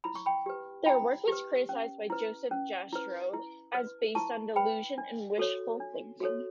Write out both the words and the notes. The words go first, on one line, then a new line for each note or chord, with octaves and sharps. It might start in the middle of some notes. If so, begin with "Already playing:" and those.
Their work was criticized by Joseph Jastrow as based on delusion and wishful thinking.
E4 B5
C#6
G5 B5
G4 B4
E4 G5 B5
G4 B4
C#4
E4 B4
C#4
E4 B4
E4
B4
E4 A5 C#6
B4 G5 B5
D4
F#4 A4 C#5
D4
F#4 A4 C#5